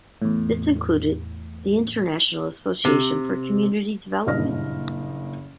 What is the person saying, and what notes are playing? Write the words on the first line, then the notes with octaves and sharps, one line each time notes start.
This included the International Association for Community Development.
E2 A2
C3
F#1 G2 A#2 D#5 F6 A#6